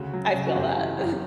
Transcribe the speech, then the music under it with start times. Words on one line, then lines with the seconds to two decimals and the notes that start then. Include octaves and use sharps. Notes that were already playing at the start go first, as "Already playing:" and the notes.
I feel that.
Already playing: D2 C#3 F#4
0.13 F#3
0.34 C#3
0.46 F#4
0.55 G1 G4
0.77 E3
0.98 F#2